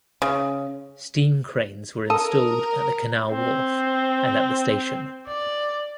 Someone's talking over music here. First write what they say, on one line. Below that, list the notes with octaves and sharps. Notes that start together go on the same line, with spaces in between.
Steam cranes were installed at the canal wharf and at the station.
C#3
A4 A#4 D#6
C4
D5